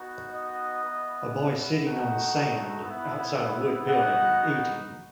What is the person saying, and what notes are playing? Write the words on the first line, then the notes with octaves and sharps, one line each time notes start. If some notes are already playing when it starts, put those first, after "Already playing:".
A boy sitting on sand outside a wood building eating.
Already playing: B3 D#4 F#4
D#5
B3 E4
A3 D#4 F#4 F#5
B3 E4
B3 D#4 F#4 F#5